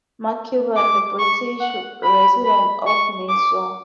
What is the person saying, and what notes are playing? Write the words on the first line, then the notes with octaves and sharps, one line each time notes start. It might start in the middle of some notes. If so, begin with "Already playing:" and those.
Mark Cubbon, the British Resident of Mysore.
D6
C#6
F#5
B5
B5
C#6
D6